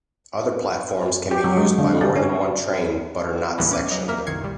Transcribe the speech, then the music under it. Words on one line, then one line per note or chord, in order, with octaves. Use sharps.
Other platforms can be used by more than one train, but are not sectioned.
G4
F#3
G#3
D3
G3
C#4
D2 A2 E3 G3 A#3 B3
C#4 D6 D#7
F#3 D#5
F#2 A#3 A#4 E5 F6
C2 D#3 G#6 C7 C#7
A#2 G3